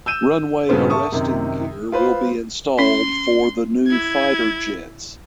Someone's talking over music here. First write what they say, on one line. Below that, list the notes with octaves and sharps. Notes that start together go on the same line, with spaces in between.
Runway arresting gear will be installed for the new fighter jets.
E6 G6 D#7 E7
G2 A#2 C#3 B3 C5
A#4 E5 A5 C#6 D#6
F#2 C3 D#3
F4 B4 C5
C#4 C6
E4 G#6